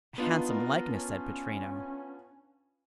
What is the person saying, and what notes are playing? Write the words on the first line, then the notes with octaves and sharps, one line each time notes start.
"A handsome likeness!" said Pittrino.
B3 D4 D#4 F4
A#4
C#4